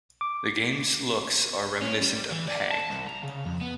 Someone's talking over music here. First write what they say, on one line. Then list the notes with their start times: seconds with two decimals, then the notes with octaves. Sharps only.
The game's looks are reminiscent of "Pang".
0.21 D6
1.82 C#4
2.02 G3
2.32 E3
2.48 D5
2.71 A5
2.90 C2
3.07 A#5
3.23 C#3
3.46 F2
3.61 B3